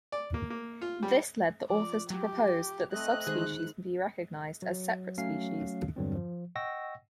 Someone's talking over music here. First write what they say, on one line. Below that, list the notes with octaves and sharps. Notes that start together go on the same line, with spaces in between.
This led the authors to propose that the subspecies be recognised as separate species.
D5
A#3
A#3
F4
G3
F3 D5
F#3 G4
A3 C4 D#5 F#6
D#3 G#3 G#4 C5
F#3
F#3 A3 C#4 F5 C7
E2 G2 D3 F#3 C4
F3
D#5 F#5 G5 C#6 E6 A#6